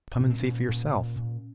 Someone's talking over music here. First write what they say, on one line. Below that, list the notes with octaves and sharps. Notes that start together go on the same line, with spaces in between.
Come and see for yourself.'
A#2 C#4
C4
A#2 C#4
A#2
A#2
A#2